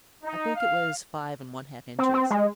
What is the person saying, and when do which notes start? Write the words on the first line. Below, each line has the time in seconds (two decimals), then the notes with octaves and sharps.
I think it was five and one-half inches.
0.24 D#4
0.55 F5
1.99 C4
2.14 C4
2.30 G#3